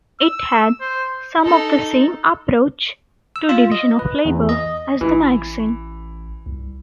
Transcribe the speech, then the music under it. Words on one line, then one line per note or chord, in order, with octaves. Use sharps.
It had some of the same approach to division of labour as the magazine.
E6
C5
D#4 A4
E6
F4
D#5
B4
E2
D#5
A1 E3
C2